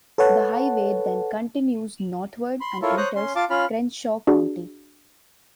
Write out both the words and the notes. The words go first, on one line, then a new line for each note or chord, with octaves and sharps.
The highway then continues northward and enters Crenshaw County.
A4 B4 C#5 F#5 A5
B5 C6
E4 F4 A4 A#4 C#5
C5 C#5 A#5 D#6 F#6
C#4 C6
F4 F5 A5 D6
C#4 F4 B5 F6
D4 F#4 G#4 D5